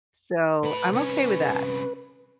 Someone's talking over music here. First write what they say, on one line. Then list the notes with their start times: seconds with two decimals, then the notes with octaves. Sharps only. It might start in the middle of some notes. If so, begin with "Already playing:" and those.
So, I'm okay with that.
0.63 A2 B4 B5
0.92 C2 C#4